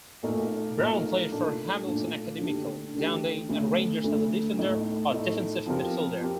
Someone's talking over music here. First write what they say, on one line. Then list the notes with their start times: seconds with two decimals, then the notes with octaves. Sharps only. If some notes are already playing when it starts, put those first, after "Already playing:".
Brown played for Hamilton Academical, Dundee and Rangers as a defender or defensive midfielder.
0.23 A#2 A3 D#4 A#4
0.77 A#2 A3 D#4 A#4
1.32 A#2 A3 D4
1.86 A#2 A3 D4
2.40 D3 A3 D4 G4
2.95 D3 A3 D4 G4
3.49 D2 D3 A3
4.04 D2 D3 A3
4.58 A2 A3 D#4
5.12 A2 A3 D#4
5.66 F3 C4 G4 A#4
6.20 F3 C4 G4 A#4